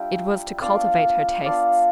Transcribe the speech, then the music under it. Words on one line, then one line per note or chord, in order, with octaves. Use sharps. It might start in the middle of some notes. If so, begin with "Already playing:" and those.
It was to cultivate her tastes.
Already playing: G3 D4 F4 E5 G5
B3 D4 F4 D5 F5
B3 D4 F4 D5 F5